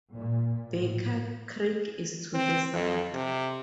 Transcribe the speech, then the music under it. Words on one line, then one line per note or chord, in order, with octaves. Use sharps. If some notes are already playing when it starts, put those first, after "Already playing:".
Baker Creek is to the south.
A#2
A2
C4
F2
C3